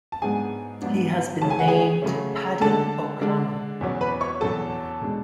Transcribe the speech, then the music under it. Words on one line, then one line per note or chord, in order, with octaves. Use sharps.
He has been named Paddy O'Connell.
A5
G#2 F#3 B3 D4 G#4 G#5
G#2 F#3 B3 D4
C#3 F#3 A3 C#4 A5
G#5
F#5
G#4 G#5
C#3 F#3 A3 C#4
D3 G#3 D4 A4 A5
D3 G#3 D4
E2 B2 F#3 C#4
B4 B5
C#5 C#6
E2 B2 F#3 C#4 A4 A5
B2 G#3 D4